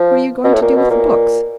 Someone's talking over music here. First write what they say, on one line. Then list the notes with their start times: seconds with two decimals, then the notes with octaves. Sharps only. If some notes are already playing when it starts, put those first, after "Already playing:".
What are you going to do with the books?
Already playing: F3
0.44 B2
0.54 A2
0.62 A#2
0.77 B2
0.90 A#2